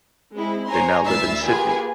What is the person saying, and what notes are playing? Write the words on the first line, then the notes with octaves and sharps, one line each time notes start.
They now live in Sydney.
G#3 C4 E4
C5 C#5 G#5 A#5 C6
D2 E3 E5 E6 A6 C7
A#3 F4 G4 G#4 B4 G#5